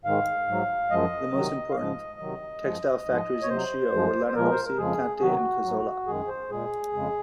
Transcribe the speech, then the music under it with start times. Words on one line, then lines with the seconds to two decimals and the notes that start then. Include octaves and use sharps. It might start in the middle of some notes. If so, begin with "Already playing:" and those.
The most important textile factories in Schio were Lanerossi, Conte and Cazzola.
0.05 G#2 D#3 G#3 F5
0.48 G#2 F#3
0.91 F#2 F3 G#3 D#5
1.33 C3 D#3 F#3
1.70 F5
1.76 G#2 F3 G#3 D#5
2.20 C3 D#3 F#3
2.62 F#2 F3 G#3
3.06 G#2 F3 G#3
3.42 C#5
3.48 C3 F#3 C5
3.92 F#2 F3 G#3
4.27 C5
4.35 A#2 F3 G#3 A#4
4.51 C5
4.65 A#4
4.78 F2 C#3 F3 G#3 G#4
5.21 C3 D#3 F#3 F#4
5.64 G#2 F#3
6.07 F#2 D#3 G#3 G#4
6.28 C5
6.50 A#2 G#3 G#4
6.93 F2 C#3 G#3